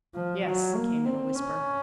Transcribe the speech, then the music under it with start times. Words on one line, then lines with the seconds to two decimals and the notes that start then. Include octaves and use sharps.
"Yes," came in a whisper.
0.15 F3
0.46 F#3
0.75 A#3
1.05 C4
1.35 C#4